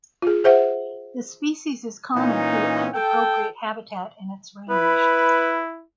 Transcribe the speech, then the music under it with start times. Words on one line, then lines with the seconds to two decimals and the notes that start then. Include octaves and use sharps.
The species is common throughout appropriate habitat in its range.
0.22 F4 G#4
0.44 G#4 C5 E5 F#5
2.16 A#2 E3 C#4 D#4
2.94 A4 G5
4.70 E4 B4